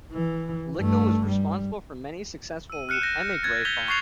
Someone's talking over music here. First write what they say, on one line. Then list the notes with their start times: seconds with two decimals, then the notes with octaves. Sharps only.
Licko was responsible for many successful Emigre fonts.
0.12 E3
0.76 G2 A3
1.27 G3
2.70 E6 D#7
2.89 F6 F#6 C#7 D#7 E7
3.02 G6 A#6
3.43 F6 F#6 G#6 A6
3.65 E6 G6 B6 F7 G7
3.88 C#6 F#6 A6 C7 C#7 F7